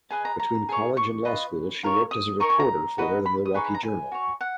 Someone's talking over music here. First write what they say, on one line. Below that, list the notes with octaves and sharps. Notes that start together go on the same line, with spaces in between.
Between college and law school she worked as a reporter for "The Milwaukee Journal".
G#4 B4 D#5 G#5
A#5
A#5
G#4 C#5
C#6
F4 B4 D#5
F4 A#4 C#5
D#6
D#4 A#4 C#5 C#6
G#5
A#5
F#4 B4 D#5
B5
D#6
D#4 G#4 B4 C#6
B5
A#5
G#5
F#4 C#5
F#5